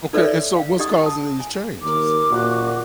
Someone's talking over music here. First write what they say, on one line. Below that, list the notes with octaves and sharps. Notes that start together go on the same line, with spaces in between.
Okay, and so what's causing these changes?
D#4 A4 B4 C#5 D5 E5
F5
D#4 G4 D#5 F#5 C#6 D#6
A5 D#6
G#5
D#2 A#4 D6
A#2 F#4